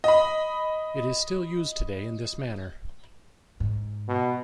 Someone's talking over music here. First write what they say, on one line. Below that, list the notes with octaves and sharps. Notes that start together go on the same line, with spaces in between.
It is still used today in this manner.
D#5 B5
G#2
B2